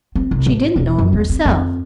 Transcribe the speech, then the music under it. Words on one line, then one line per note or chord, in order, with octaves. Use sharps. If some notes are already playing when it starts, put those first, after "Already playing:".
She didn't know 'em herself.
C4
C2
A1
E1
F#2
E2
C4
F2